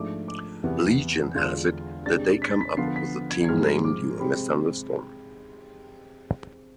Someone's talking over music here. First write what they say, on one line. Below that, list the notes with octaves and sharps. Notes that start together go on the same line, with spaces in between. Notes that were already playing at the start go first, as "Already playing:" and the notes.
Legend has it that they came up with the team name during a thunderstorm.
Already playing: G#2 F3 A3 D4 D6
D6
E2 C3 E3 B3
E2 D3 G#3 D4 F4
C3 G#3 D4 A6
B6
A6
B6
D3 F3 B3 F4 C7
B6
G#6
G#6
G#2 F3 G#3 C4 F6
D6
C3 G#3 C4 B5